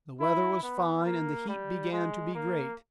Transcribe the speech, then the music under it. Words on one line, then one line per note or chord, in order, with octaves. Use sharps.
The weather was fine, and the heat began to be great.
E4
B3
A#3
G3
G#3
A#3